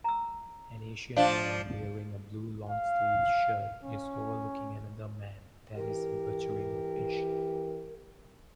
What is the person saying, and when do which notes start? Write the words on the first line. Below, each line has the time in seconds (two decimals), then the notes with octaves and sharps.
An Asian man wearing a blue longsleeved shirt is overlooking another man that is butchering a fish.
0.04 A#5 E6
1.16 F3 D4 F5
2.69 F5
3.83 C#4
5.76 E3 G4 A#4